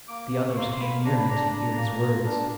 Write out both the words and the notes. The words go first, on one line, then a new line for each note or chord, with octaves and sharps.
The others came nearer to hear his words.
A#3 D6
A#3
C#6
A#3 C6
C6
A#3 B5
D4 A#5
B5
D4 A#5
D4
A#3
F4
D4